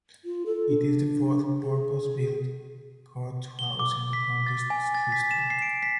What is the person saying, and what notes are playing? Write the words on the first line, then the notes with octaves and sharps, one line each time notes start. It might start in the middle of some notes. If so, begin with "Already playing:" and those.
It is the fourth purpose-built court house in the county's history.
F4
A4
D4
G#4
G7
D6
B6
A6
G#5
A6
B6
E7
C7
D7
B6